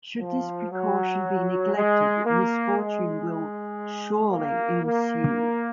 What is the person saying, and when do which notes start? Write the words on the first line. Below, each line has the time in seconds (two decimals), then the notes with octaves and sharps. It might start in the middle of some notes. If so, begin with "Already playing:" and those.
Should this precaution be neglected misfortune will surely ensue.
0.20 F3
0.71 F#3
1.75 G#3
2.25 A#3
2.77 G#3
4.31 A#3
4.82 A#3